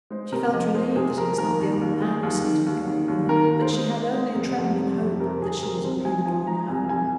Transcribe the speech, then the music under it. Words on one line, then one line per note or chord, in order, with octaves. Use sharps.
She felt relieved that it was not the old man who seemed to be going with her, but she had only a trembling hope that she was really going home.
G#3 C5
C3 A#4
F2 D#5
G#3 C5
C3 G#4
F2 A#4
D#2 A#4
D#2
D#2
G#3 G#4
D#2
D#3
D#2
D#3
D#2
D#3 A#4
D#2
C5
G#3
G#3
G#3
F1
F2
F1
F2
C3 A#4
C3 G#4
C3 A#4
C2 C5
G#3 G#5
F3 G#5
G#3 A#5
C2 G#5
C2 G#5